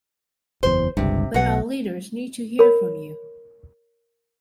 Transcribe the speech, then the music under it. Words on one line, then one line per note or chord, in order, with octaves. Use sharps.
But our leaders need to hear from you.
F#1 E2 C5
G1 C#2 G2 C3
B1 B2 F#5
A#4 C#5 B5